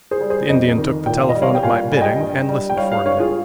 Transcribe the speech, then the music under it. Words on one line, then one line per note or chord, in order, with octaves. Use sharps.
The Indian took the telephone at my bidding and listened for a minute.
G#4 C5
G3
G#4 C5
F2 C5 D#5
D#3
A#2 G5
F5
D#5
G3
C#5 F5
G5
A#2 F5 G#5
G3 G#5
D#5 G5
G2
G3
G5
G3 C#5 F5
C#5 F5
G2 C#5 F5
F4 G#4